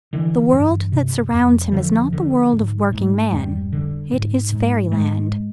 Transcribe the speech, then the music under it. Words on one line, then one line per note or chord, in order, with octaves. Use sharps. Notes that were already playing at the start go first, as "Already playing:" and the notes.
The world that surrounds him is not the world of working man: it is fairy land.
D3 E3
G2
C3
F2
D3 F3
D3
G#2
G#2
F2 G3
D3
G#2
G#2
G#2 G#3